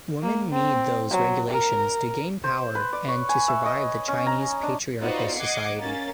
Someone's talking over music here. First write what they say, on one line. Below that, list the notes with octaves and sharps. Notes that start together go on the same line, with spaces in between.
Women need those regulations to gain power and to survive the Chinese patriarchal society.
A#3
C4
F#3
A#4
C5
B4
D5
C#5
G#5
E5
D#5
C#4
A#5
D4
B3 D#4 F4 F#4 C5 D5
D#5 F#5 D6 G#6 C7 C#7
A#3 C#4 A6